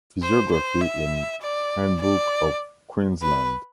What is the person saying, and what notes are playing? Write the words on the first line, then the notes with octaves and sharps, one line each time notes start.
Physiography in "Handbook of Queensland".
C5
C5
E5
D5
D5
B4